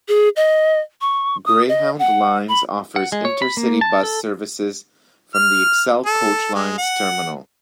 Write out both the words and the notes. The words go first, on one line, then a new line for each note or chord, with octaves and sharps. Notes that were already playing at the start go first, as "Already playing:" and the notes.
Greyhound Lines offers intercity bus services from the Excel Coach Lines terminal.
G#4
D#5
C#6
D#6
D#5
F#5
B5
F#5
G#3
C#5
B5
A#3
A5
A4
F6
A4
G#3
F#5